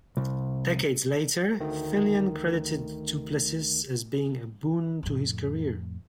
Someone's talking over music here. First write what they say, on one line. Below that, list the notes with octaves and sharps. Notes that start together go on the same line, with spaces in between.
Decades later, Filion credited Duplessis as being a boon to his career.
C2
D2 D#3 A3
F2 A2